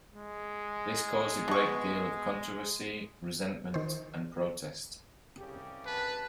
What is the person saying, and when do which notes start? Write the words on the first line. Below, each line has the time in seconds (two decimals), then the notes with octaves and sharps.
This caused a great deal of controversy, resentment and protest.
0.14 G#3
1.48 B2 C#6
3.74 D#3 C5
5.38 C2 C#3 G4
5.86 B4 A5